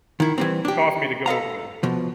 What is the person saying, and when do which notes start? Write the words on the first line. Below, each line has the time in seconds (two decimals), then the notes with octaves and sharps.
cause me to go over there.
0.20 D#3 E4
0.38 E3 G3 C4
0.65 D4 G4
1.26 A4 D#5 F5 A#5
1.83 B2 F3